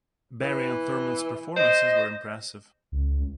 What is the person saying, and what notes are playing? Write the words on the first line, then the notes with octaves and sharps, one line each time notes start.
Barry and Thurmond's performances were impressive.
E3
C5 D#5
C#2